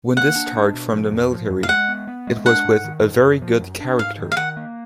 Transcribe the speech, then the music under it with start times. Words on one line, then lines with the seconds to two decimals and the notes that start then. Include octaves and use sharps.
When discharged from the military it was with 'a very good character'.
0.17 A#3 F#5
0.36 D4
0.55 D4
0.74 B2
0.93 F3
1.12 F2
1.31 F3
1.50 F2
1.63 F5
1.69 G#3 F#5
1.88 B3
2.07 B3
2.27 G#3
2.46 D4 F#5
2.65 G#2
2.84 D#3
3.04 G#2
3.23 F#2
3.42 F3
3.61 F#2
3.80 D4
3.99 G#2 F5
4.18 D#3
4.32 F5
4.37 D#3 F#5
4.57 A#3